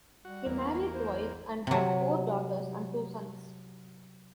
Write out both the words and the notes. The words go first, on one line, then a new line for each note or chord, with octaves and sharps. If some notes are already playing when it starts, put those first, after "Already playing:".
He married twice and had four daughters and two sons.
G3 F#4
E2 A#3
B3
C5
C3 F#3